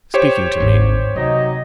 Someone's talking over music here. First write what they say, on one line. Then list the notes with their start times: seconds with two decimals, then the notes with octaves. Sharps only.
Speaking to me.
0.14 G4 C5 C#5
0.60 G#1 D2
1.16 C3 F#3 D#4 D#5